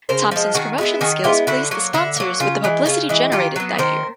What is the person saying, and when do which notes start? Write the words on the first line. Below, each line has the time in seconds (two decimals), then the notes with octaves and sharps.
Thompson's promotion skills pleased the sponsors with the publicity generated that year.
0.09 C#3 A#4 C5
0.31 F3 G#3
0.54 D#3 F#4 G#4
0.78 G#3 B3 E4
1.01 D#3 F#4 G#4
1.24 G#3 B3 E4 F4 G4
1.47 D3 E4 F#4
1.71 F#3 A#3
1.94 D3 E4
2.16 F#3 A#3
2.40 C#3 F4
2.64 E3 G#3
2.86 C#3 F4
3.09 E3 G#3
3.32 D#3 F4 G4
3.56 F#3 B3
3.79 D#3 A#4 C5